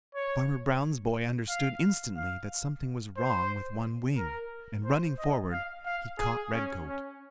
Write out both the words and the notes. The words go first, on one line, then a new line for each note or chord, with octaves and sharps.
Farmer Brown's boy understood instantly that something was wrong with one wing, and running forward, he caught Redcoat.
C#5
F5
F5
C5
A#4
C5
D#5
F5
F5
G#4
C#4
C#4